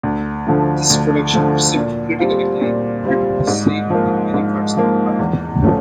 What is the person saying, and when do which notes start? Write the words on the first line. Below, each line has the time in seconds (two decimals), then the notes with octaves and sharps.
This production received critical acclaim and was seen in many parts of the world.
0.03 D2
0.47 D3 F3 A3
0.90 D2
1.33 D3 F3 A3
1.76 A#2
2.19 G3 C4 F4
2.61 A#2
3.05 G3 C4 F4
3.47 G#2
3.90 F3 A#3
4.34 G#2
4.77 F3 A#3
5.19 E2
5.62 F3 A3 C#4